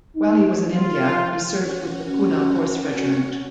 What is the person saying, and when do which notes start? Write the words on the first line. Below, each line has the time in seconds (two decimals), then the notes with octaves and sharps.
While he was in India he served with the Poona Horse regiment.
0.16 D#4
0.69 F4
1.52 C#4 F#4